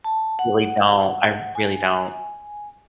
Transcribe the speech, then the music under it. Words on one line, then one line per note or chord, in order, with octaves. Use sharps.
Really don't, I really don't.
A5
F#5
G#5